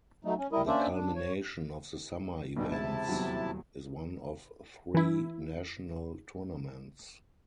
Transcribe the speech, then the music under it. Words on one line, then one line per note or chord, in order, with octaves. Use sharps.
The culmination of the summer events is one of three National Tournaments.
F#3 A3 D#4
C#4
G3 E4 A#4 D#5
A#3 C#4 D4 C5 D5 E5
D4
C#5
B1 G2 B2 E3 G3
E1 C3 E4 A5
D#1 E2 F#3
E3 E4